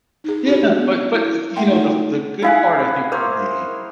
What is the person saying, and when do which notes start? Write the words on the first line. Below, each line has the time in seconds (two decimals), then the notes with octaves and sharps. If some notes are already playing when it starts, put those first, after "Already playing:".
Yeah, but but, you know, the the good part I think will be
0.24 D#4 G#4
0.45 C#4 D4 F#4 G4 C#5 D5
0.75 B3
1.13 E4
1.56 A3 E5 F#5 G5 A#5 C6
1.70 D#4 F4 A4 F#5
2.42 D#4 E4 G#4 F5 F#5 G#5
3.12 A#3 A#4 C5 C#5